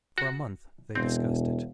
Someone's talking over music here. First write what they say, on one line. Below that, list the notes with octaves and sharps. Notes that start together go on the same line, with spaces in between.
For a month they discussed it.
F#4
E1 C4